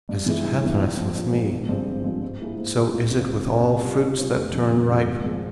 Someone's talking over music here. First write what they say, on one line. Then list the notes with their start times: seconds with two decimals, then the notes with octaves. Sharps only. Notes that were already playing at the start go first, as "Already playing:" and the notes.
As it happeneth with me, so is it with all fruits that turn ripe.
0.09 G2
0.26 E3 G#3 E4
0.45 G2
0.62 E3 G#3 E4
0.80 A#1
0.97 G#2 F3
1.15 A#1
1.33 G#2 F3
1.51 G#1
1.69 G2 F3 G#3 C4
1.86 G#1
2.04 G2 F3 G#3 C4
2.22 G#2
2.40 G3 A#3 E4 G#4
2.57 G#2
2.75 G3 A#3 E4 G#4
2.94 C#2
3.11 C#3 F3 C4
3.29 C#2
3.46 C#3 F3 C4
3.65 C3
3.82 G3 C#4 F4
4.01 C3
4.17 G3 C#4 F4
4.36 F1
4.53 F2 C#3 G3
4.71 F1
4.89 F2 C#3 G3
5.06 G#1
5.24 F3 G#3